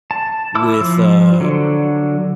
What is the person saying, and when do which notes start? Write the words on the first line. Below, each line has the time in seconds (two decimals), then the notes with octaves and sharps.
with, uh,
0.11 A5
0.55 E4 D6 E6
0.81 F3
1.40 D3 F#3